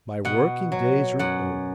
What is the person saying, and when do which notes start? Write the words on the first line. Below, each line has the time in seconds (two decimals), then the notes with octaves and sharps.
My working days are over.
0.25 B2 F#5
0.72 F#3
1.19 F#2 F#5